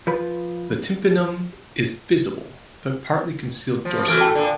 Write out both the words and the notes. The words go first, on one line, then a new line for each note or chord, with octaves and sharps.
The tympanum is visible but partly concealed dorsally.
F3 B4
F3
E3 A3 F#4 F6 D7
G5 A5
A#2 D3